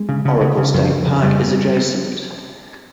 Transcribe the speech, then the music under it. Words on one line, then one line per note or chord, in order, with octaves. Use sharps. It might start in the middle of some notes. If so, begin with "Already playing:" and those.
Oracle State Park is adjacent.
Already playing: G#3
C#3
C#3
C#3
C#3
F2
F2
C#3
G2 G3
G2